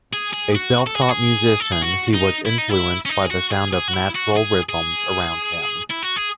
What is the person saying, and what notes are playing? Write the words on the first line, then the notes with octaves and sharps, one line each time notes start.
A self-taught musician, he was influenced by the sound of natural rhythms around him.
G#4
G#4
F#4
A4
G#4
F#4
G#4
A4
G#4
F#4
D#4
E4
D#4
E4
C#4
D#4
G#4
F#4
G#4
G#4
F#4
E4
F#4
G#4
G#4
E4
F#4
G#4